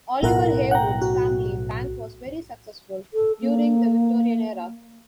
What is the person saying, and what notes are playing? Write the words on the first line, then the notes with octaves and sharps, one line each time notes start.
Oliver Heywood's family bank was very successful during the Victorian era.
B1 A2 B3 E4 A#4 F#5
F#5 G5 A#5
F#4
A4
A#3